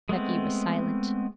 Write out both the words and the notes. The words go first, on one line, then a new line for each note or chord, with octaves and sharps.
Becky was silent.
G#3 A3 B3 C4